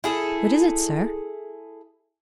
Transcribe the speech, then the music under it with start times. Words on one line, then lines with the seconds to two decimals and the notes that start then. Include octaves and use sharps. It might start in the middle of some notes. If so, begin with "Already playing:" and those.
"What is it, sir?"
0.04 E4 G#4 A4